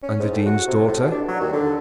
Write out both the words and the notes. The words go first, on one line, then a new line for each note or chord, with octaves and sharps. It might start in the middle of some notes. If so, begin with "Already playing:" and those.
"And the Dean's daughter?"
C#4
G#2
A2
F#4
C3
A2
B2
D4
F#3
D#2
D3